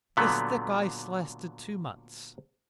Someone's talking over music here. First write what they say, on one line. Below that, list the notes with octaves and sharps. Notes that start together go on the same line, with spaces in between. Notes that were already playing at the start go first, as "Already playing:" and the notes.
This thick ice lasted two months.
A#2 D3 F#3 G3 A3 B3